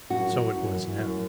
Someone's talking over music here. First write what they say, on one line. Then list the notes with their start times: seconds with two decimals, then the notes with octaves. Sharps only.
So it was now.
0.10 F#2 F#4
0.32 E3
0.53 F#2
0.76 E3
0.98 F#2